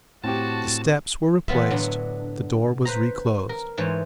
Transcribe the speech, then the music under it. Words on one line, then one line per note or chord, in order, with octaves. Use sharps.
The steps were replaced, the door was reclosed.
A2 C4 F#4 G4 A5
E3 F#3 B3 F4 E5
A2 D3 F#3 B3 D4 A#5
B4 C5 A#5
A#4
G#2 E3 A3 C5 C#5